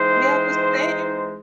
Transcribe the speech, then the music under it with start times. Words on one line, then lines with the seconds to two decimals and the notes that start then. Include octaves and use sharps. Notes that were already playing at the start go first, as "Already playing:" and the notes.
Yeah, the same.
Already playing: E3 G#3 C4 D#4 C5